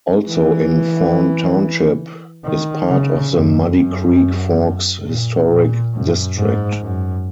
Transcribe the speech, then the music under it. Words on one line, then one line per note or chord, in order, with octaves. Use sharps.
Also in Fawn Township is part of the Muddy Creek Forks Historic District.
E3
D#3
C#3
F#2
F#2
A#2
A#2
F#2
G#2
F#2